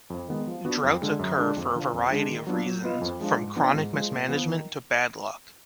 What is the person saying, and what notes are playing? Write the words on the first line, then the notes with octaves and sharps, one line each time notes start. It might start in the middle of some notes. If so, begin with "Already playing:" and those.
Droughts occur for a variety of reasons, from chronic mismanagement to bad luck.
F2
D#3 G#3 B3
F3
B3 D4 F#4
F2
D3 G#3
F#2
D3 G#3 D4
F2
D3 F3
F2
D3 G#3 D4 G#4
D#3
F#3 B3 D4 F4
F#3
B3 F4 B4 D#5
F2
F3 G#3 D4
G#2
F3 B3 D4
G#2
F3 G#3
A#2
F3 B3
D#3